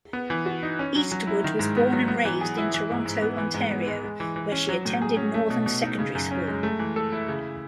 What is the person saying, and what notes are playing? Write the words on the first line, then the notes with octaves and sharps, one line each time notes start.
Eastwood was born and raised in Toronto, Ontario, where she attended Northern Secondary School.
B3
E3
F#4
D#4
C#4
F#3
F#3
E4
D#3
G#2
B3
F#3
B3
E3
G#4
E4
E3
G#2
G#2
B3
E3
G#2
B3
G#3
G#3
E3
E3
C#4
F#3
A2
G#4
C#4
A3
B2
B2
D#4
C#3
F#2
C#4
G#3
A3
E3
A4
E4
C#3